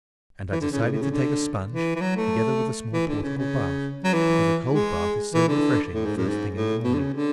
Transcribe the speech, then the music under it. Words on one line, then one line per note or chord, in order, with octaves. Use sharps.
And I decided to take a sponge, together with a small portable bath, because a cold bath is so refreshing the first thing in the morning.
E3
D3
C#3
A2
A2
C#3
D3
E3
E3
F#3
A3
E3
D3
C#3
C#3
F#3
E3
G#3
E3
D3
A2
G#2
F#2
G#2
A2
B2
D3
C#3
D3